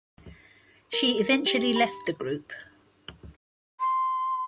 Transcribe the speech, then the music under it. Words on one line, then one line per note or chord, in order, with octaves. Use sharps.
She eventually left the group.
A#4
G4
B5
C6